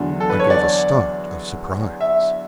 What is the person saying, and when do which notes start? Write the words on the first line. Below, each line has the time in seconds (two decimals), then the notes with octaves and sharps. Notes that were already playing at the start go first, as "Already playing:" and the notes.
I gave a start of surprise.
Already playing: E2 D3 F#3
0.20 A4
0.30 B4
0.40 C#5
0.50 D5
2.01 E5